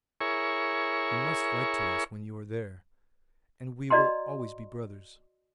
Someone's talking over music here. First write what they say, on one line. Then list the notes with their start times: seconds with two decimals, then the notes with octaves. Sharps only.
You must write to us when you are there, and we will always be brothers....
0.21 E4 G#4 A#4 C#5 C#6
3.90 F#4 D5 D#5 A#5 C6